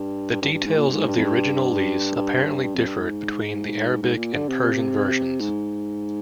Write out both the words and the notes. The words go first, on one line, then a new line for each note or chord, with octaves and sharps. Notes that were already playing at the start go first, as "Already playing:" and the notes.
The details of the original lease apparently differed between the Arabic and Persian versions.
Already playing: G2
G2
G2
G2
G#2
A#2
G2
G#2
G2
F2
G2
G2
G2
F2
G2
G#2
G#2
A#2
D3
C3
G#2